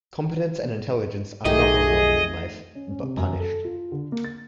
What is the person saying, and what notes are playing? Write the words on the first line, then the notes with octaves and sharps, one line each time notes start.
Competence and intelligence are not rewarded in life but punished.
B1 D#3 A3 G4 G#4 D#5
C#4
C#4
C3
F#2
A4
F4
D3
A#3
A6